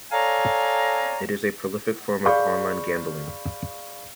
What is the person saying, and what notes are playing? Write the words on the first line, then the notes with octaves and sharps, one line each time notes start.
It is a prolific form of online gambling.
A4 C#5 D5 F5 G#5 A#5
G#4 D5 F5 B5 C#6 G6